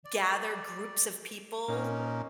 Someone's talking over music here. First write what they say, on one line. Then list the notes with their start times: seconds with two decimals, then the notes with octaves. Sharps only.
gather groups of people,
0.05 D5
1.68 A#2 C#4 D#4